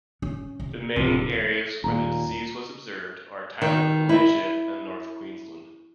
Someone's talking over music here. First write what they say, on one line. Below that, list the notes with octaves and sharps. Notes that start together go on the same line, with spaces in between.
The main areas where the disease was observed are Thailand, Malaysia and North Queensland.
C#4
C3
D1 C3 F3 C4
D#1 A#2 A#5
D#3
E4